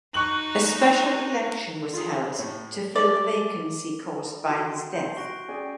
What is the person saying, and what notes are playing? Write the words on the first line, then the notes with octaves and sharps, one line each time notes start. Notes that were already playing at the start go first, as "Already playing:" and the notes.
A special election was held to fill the vacancy caused by his death.
D#4 F#4 C#6 F#6 F#7
F4 G#4
A2
D5
F#4 G5 C6
G6 C7
F#4 F#5 C#6 A#6 D7
C#4 G#4 D5 G5 G#5